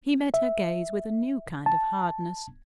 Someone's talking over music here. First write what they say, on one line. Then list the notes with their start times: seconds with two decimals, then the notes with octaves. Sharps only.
He met her gaze with a new kind of hardness.
0.34 E5
1.66 A5